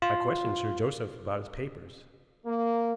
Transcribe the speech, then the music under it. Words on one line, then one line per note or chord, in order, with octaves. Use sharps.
I questioned Sir Joseph about his papers.
F4
A#3